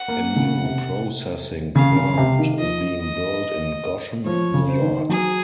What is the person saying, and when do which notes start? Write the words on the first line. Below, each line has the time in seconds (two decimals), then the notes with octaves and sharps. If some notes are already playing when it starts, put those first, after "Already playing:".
A new processing plant is being built in Goshen, New York.
Already playing: F#5
0.08 A#3
0.36 C#3
0.65 C3
1.75 C#3 F5
1.96 C#3
2.18 C3
2.38 D#3
2.59 F3 D#5
3.01 D#5
4.26 F3 C#5
4.54 C#3
4.68 C5
4.82 D#3
5.09 F#3 G#4